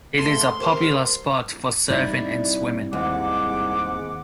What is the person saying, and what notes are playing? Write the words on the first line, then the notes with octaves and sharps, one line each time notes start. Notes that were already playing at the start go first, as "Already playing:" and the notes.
It is a popular spot for surfing and swimming.
D#2 G#2 A3 A4 C6
B3 G4 A#4 C5
C2 D#4 E4 D5
D#2 G#2 F#5 D6